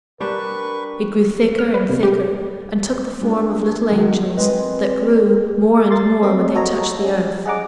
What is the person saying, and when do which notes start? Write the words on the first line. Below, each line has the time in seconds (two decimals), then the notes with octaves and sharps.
It grew thicker and thicker, and took the form of little angels, that grew more and more when they touched the earth.
0.21 G3 D4 A#4 B4 C#6
1.59 F6
1.74 B4
1.89 C3
2.03 G4
3.21 G#3 D4 F4
3.91 D#3 F#3
4.37 G#3 C4 F4 A#4 B4 D#5
5.91 C6 A6
6.23 C4 G4 A#4 D#5
6.55 F#4 A4 C#5 D#5 A#5
7.01 G#3 C#4
7.46 G#4 D#5 F#5 A#5 D6